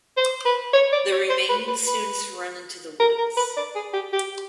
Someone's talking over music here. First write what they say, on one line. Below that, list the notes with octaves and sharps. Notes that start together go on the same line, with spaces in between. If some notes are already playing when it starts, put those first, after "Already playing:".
The remaining students run into the woods.
C5
B4
C#5
D5
C#5
C5
B4
B4
B4
A#4
A#4
B4
D5
G#4
G4
G4